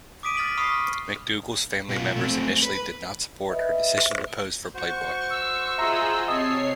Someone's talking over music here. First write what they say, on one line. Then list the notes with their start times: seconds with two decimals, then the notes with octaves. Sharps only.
McDougal's family members initially did not support her decision to pose for "Playboy".
0.23 D6 D#6 B6 D7 D#7
0.37 F6 A6 B6 F#7
0.57 B5 C#6 D#6 F6 B6 C7
1.89 B2 F4
2.16 A3 C4
2.63 B4
3.49 B4 D#5 E5
4.74 F#4 C5 C#6
5.31 E6
5.78 F4 G#4 D#5 E5 A#5 C6
6.28 C3 C#5 D#5 A5 C7